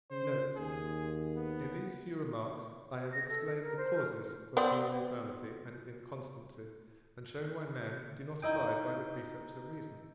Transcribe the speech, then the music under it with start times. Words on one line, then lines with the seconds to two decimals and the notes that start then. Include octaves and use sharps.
Note.--In these few remarks I have explained the causes of human infirmity and inconstancy, and shown why men do not abide by the precepts of reason.
0.11 C#3 C5
0.57 D#2 G#4
1.37 B3
3.13 A#6
3.29 A4
3.61 A#4
3.77 C5
3.96 F6
4.57 B3 C4 D5
8.42 D#4 E4 D#5 G5